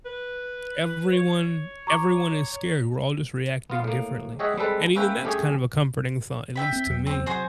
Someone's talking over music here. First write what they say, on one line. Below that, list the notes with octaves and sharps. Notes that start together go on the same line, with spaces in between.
Everyone everyone is scared, we're all just reacting differently, and even that's kind of a comforting thought, at least to me,
B4
C#5
A#5 C#6 D6
B3 F4 F5
A2 A#3
G#3 G4 C#5 D#5 E5 F#5
G3 G#3 C4 A4 B4
A#3 C#4 B4 E5 G5
G2 A3 C#4 G4 G#4 G#5
E5 G5 B5
C4
E2 F#3
C4
C3 F#3 F#4 G#4 C5